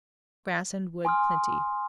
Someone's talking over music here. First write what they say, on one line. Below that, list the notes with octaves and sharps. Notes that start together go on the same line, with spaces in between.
Grass and wood plenty.
G#5 C6 D#6 F6